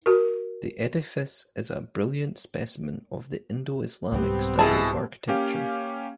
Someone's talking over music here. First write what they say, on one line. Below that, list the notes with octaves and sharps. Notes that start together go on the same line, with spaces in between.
The edifice is a brilliant specimen of the Indo-Islamic style of architecture.
F#4 A#4
C2 G#2 G3 B3 C4 G4
B2 E4 G#4 A5
A#3 C#4 G4 F5